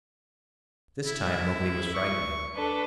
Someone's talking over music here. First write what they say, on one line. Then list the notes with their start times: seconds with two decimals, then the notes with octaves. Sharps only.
This time Mowgli was frightened.
1.06 E4
1.95 C#6
2.55 D4 A4 B4